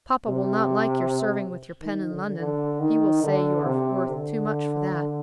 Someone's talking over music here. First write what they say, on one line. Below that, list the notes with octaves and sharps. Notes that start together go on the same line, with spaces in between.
"Papa will not like your serving with your pen in London: he will say you are worth too much for that."
C3
D#3
D3
D3
D#3
D3
C3
D3